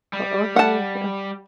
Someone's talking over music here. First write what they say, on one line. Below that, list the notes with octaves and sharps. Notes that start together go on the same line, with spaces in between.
Oh, okay. Uh
G3
F#5 A5